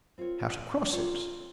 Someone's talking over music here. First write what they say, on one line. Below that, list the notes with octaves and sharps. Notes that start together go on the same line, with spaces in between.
How to cross it?
C4 F4 A#4 C#5
C4 F4 A#4 C#5